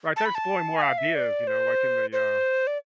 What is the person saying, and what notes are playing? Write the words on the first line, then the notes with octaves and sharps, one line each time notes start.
Right, they're exploring more ideas, you know, like in the j uh
A5
B5
A5
G#5
F5
E5
D5
C5
C5
D5